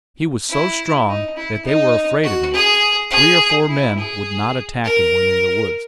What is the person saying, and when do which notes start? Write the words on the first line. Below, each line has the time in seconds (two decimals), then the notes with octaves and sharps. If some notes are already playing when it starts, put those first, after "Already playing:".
He was so strong that they were afraid of him; three or four men would not attack him when in the woods.
0.50 E4
1.08 D#4
1.37 E4
1.66 D#4
2.24 F#4
2.54 G#4
3.11 G#4
3.69 E4
3.98 G#4
4.85 A#4